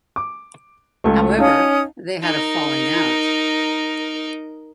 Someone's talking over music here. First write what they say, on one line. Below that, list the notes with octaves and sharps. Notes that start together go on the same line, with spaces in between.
However, they had a falling out.
D6
C#2 A3
C#4 D#4 F5 A5 D#6
D#4 A#4